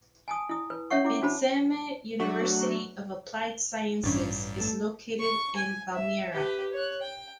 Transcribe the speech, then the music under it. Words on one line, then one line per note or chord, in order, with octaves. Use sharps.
Vidzeme University of Applied Sciences is located in Valmiera.
G#5 A5 D#6
E4 D#6
B4
C#4 C#5 E5 F#5 C#6
E4 D6
D4 F#4 C5 A5 B5
F#3 A3 D4 F#4
A1 G2 E3 C#4 D4
A3 A4
C#6
G#5
E5
G4 B4
C#5 F#6
G5